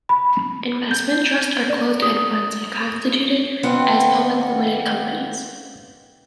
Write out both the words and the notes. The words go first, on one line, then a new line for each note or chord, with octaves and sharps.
Investment trusts are closed-end funds and are constituted as public limited companies.
B5
G6
D5
D#6
D#2 B3 C4 F4 F#5 G5